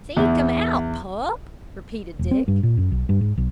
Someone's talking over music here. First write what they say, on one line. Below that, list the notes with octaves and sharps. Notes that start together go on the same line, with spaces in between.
"Seek him out, pup!" repeated Dick.
E2
E1
C4
G2
A#2
F#2
B1
G2
G#2
B1